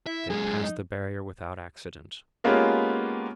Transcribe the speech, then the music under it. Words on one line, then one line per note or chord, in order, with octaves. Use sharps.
They passed the barrier without accident.
E4 E5
F#2 G#3 G#4
D#4
G#3 A#3 B3 C#4 F4 G4